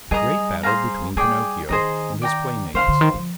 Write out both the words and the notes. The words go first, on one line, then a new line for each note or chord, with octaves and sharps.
The great battle between Pinocchio and his playmates.
G3 G#4 D#5 A#5 D#6
G#4 C5 F5 A#5
G3 G#4 D5 G5
D#3 G#4 C5 D#5 A#5
D5 G5 A#5
D3 C5 F5 C6
D3
D#3
F3